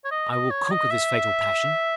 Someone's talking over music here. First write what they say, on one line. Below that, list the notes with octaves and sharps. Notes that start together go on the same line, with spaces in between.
I will conquer this fatal passion.
C#5
D#5
D#5
C#5
D#5
E5